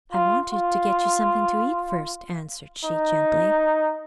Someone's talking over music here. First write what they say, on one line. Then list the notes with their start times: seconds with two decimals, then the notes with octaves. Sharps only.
"I wanted to get you something to eat first," answered she, gently.
0.13 F4
0.52 F4
2.85 D#4